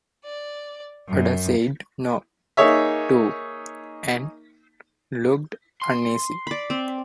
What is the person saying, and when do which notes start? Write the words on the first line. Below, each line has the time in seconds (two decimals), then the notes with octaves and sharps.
Ada said no, too, and looked uneasy.
0.25 D5
1.07 F#2
2.57 A#3 D#4 G#4 C#5 E5
5.82 C6
6.47 D5 B5
6.70 C4